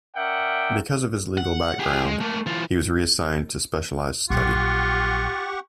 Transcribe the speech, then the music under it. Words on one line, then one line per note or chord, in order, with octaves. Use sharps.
Because of his legal background he was reassigned to specialized study.
C#4 A#4 D5 E5 F#5 G5
F#5
G4 G#4
G#3
A3 A#3
E3 F4
A#1 F#3 F4 G4 F#5 C#6